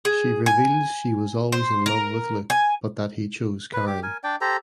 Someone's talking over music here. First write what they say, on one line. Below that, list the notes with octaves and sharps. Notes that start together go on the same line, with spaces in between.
She reveals she was always in love with Luke but that he chose Karen.
G#4
G#5
C5
A#4
G#5
B4
G4 D6
A#4 G#5
D4 D5 G5
G4 A4 C5 A#5